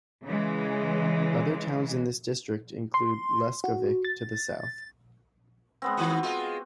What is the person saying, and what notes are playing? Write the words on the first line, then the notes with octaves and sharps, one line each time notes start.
Other towns in this district include Leskovik to the south.
C#3 E3 G#3
C6
F#4
A6
G#3 B3 C4
D#3 A#3 F#4
G#3 F4